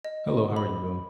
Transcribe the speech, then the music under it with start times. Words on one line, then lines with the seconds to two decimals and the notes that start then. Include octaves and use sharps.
Hello, how are you doing?
0.05 D#5
0.56 B5